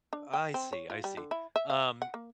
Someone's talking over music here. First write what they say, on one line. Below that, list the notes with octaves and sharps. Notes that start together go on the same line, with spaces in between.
I see, I see. Um,
D4
G5
C4
C#5
F4
G3
D3
E4
E5
F5
F#5
A#3